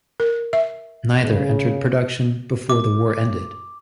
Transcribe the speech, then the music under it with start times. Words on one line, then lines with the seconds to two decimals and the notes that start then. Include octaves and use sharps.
Neither entered production before the war ended.
0.20 A#4
0.53 E5
1.22 C#3
2.70 D6